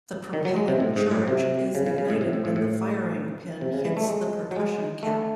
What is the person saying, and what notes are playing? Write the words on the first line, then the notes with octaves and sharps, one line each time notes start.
The propellant charge is ignited when the firing pin hits the percussion cap.
D#3
F#3
G#3
C3
A2
G#2
A2
C3
C#3
C#3
C#3
A2
C3
A2
A2
A2
C3
C#3
E3
A3
G#3
F#3
G#3
A3